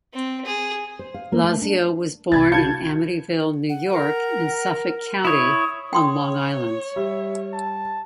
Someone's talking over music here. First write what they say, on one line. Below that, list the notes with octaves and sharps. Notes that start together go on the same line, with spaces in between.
Lazio was born in Amityville, New York, in Suffolk County, on Long Island.
C4
G#4
C5
F5
A#3
A3
D4
C2 C3 B5 G#6 A6
F#4 F5 A5 G6 G#6 C#7
F#5
A#4
E4 C#5 D#6
C#5 G5 C6 D#6
G3 E5
A5